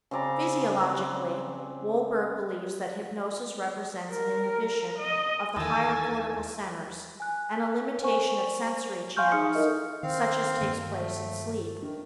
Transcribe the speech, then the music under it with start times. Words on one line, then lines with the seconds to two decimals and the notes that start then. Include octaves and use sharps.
Physiologically, Wolberg believes that hypnosis represents an inhibition of the higher cortical centers, and a limitation of sensory channels such as takes place in sleep.
0.11 C#3 C4 D5 A#5
4.10 A#4
4.98 D#5
5.56 D#2 D#3 E3 A3 A#3 G#5 A5 E6
7.20 G#5 F#6
8.01 A#4 C5 G#5 C#6
9.17 F5 G#5 C6 C#6 F6 G6
9.32 D#4 G#4 F5 D#6 F6 C#7
9.55 D#4 E4 A4 A#4 D#5 E5
10.03 D#3 C4 F5
10.61 G2 D#3 A#3
10.91 A3
11.82 D#3 D4